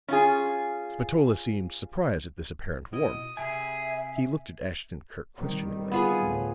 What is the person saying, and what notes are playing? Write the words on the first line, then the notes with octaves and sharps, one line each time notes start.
Spatola seemed surprised at this apparent warmth; he looked at Ashton-Kirk questioningly.
C#4 F4 G#4
B2 E4 D#5 D#6
C3 G#4 E5 G#5
D#3 G3 C4
B3 F4 G#4
D2 A2 A3